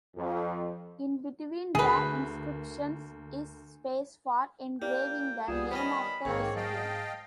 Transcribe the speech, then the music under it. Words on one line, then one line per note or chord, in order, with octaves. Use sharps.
In between the inscriptions is space for engraving the name of the recipient.
F2
D2 A#3 G#4 B4
A#3 E4 G4 D5 G5
C2 G3 B3 F4 G#4 E7
D#3 C#4 C5 D#5 B5
A#1 G#2 D#3 A#3 C4 C#5
F#3 D#5 F5 G5 A5